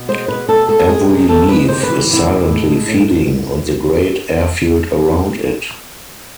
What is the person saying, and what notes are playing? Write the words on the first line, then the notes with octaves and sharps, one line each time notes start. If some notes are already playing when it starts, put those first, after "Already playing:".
Every leaf is silently feeding on the great airfield around it.
Already playing: B2
G#3 C5
B2 B4
B2 A4
G#3 A4
G#3 G#4
C3 G#4
C3 A4
G#3 B4
C3 C5
B4
E3
C3 E4
G#3
A2
G#3
A2